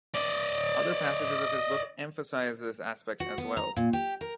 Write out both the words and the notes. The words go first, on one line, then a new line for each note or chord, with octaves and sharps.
Other passages of his book emphasize this aspect as well.
D5 D#5
F#4
B3
A#5
A#2
G4
A#4